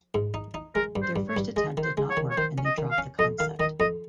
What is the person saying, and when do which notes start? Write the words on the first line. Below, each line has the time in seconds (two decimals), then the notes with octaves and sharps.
Their first attempt did not work and they dropped the concept.
0.14 G#2
0.34 D#4
0.54 D#4
0.75 G#3 A#4
0.96 G2
1.02 C5
1.16 G2
1.29 C#5
1.37 G2
1.56 G#3 D#5
1.77 D#3
1.84 C5
1.97 G#3
2.10 C#5
2.17 D#3
2.30 C#5
2.37 D#3 C5
2.58 C#4
2.65 D#5
2.78 D#3
2.91 F5
2.98 C#4
3.19 F2 D#5
3.39 D#3 F5
3.60 D#3 D#5
3.80 F2 D#5